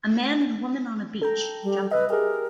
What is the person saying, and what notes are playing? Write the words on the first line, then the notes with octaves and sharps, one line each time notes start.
A man and woman on a beach, jumping.
A4 G5 A#5
G3
B4 D#5 E5
G4 G#4 A#4